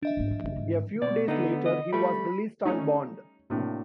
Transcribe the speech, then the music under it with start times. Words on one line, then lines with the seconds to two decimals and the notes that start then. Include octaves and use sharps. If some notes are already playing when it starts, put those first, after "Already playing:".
A few days later, he was released on bond.
0.03 D4 D#5 E5
0.17 G#2 A#3
0.31 F3
0.44 F#1
0.56 G#2
1.02 B2 D5
1.28 D3 A3 B3 D#4
1.65 D#5
1.93 G3 A3 B5
2.65 G3 A3 C#4 D#4
3.50 A2 C3 A#3 D4 F#4